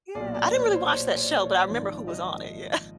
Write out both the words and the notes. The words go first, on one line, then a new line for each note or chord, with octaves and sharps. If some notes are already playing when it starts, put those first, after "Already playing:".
Yeah, I didn’t really watch that show, but I remember who was on it. Yeah.
B1 A#2 F#3 D5
D5
C#5
C5
C#5
D5
C#5
G#1 G#2 F3 D5
D5
D#5